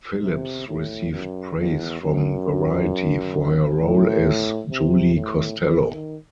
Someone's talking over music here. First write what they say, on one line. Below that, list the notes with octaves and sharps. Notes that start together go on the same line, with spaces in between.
Phillips received praise from "Variety" for her role as Julie Costello.
C3
A2
F#2
E2
F#2
A2
C3
A2
D#3